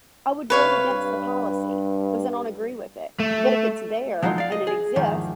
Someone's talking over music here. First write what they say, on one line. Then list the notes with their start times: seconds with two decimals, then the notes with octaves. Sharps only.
I would vote against the policy because I don't agree with it. But if it's there and it exists
0.50 C3 B4 C#5 F5
0.90 G2
3.20 A3
4.23 F3 F#3 G#3 D#4 F4
4.38 D5 F5
4.52 D#5
4.67 G#4
4.96 E2 G#2 D#3 F3